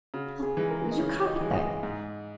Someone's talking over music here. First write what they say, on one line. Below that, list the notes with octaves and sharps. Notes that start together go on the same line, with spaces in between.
Oh! your carpet-bag.
C#3 F#4
G#4
E3 G#3
A#4
D#5
C#3 C#5
C#5
D#5
E3 G#3
C#5
D#5
G#2